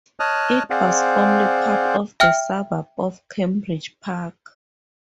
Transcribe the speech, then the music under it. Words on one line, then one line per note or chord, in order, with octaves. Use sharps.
It was formerly part of the suburb of Cambridge Park.
C#5 D#5 A5 D#6 F6 F#6
C4 G#4 C5 D5 F5 F#5
E5 G5 F6